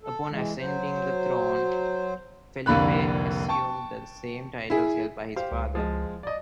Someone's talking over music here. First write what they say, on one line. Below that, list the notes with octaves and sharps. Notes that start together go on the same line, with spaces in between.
Upon ascending the throne, Felipe assumed the same titles held by his father.
A4
E3 G#3
F#3 C5
F1 C2 D3 A#3 B5 F#6
G5 A5 C#6
E4 G#4
G4 C5 F5
C#2
F3 G#3
D5 D#5